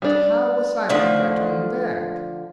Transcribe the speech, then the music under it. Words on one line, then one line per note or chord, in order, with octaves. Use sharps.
But how was I to get on deck?
G3 D4
D3 F3 A3 D4 D#4